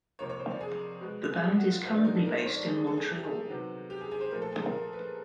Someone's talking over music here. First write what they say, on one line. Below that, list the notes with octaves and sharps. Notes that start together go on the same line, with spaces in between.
The band is currently based in Montreal.
F2 C3 F3 A#3 C#5
C#5
C5
D5
G#4
B2 G#3 B3
G#4
G4
F#4
F4
A#2 F3 G#3 B3 F4
D4
D#4
A4
A#4
C5
C#5
D5
C#3 E3 G3 A#3 G#4
G#4
A4
G#4
G#4
G4
G#4
C3 D#3 F#3 B3
G4
G#4
G#4
C5
A#2 F3 A3 A#4
A4
G#4
A#4
A#4
B4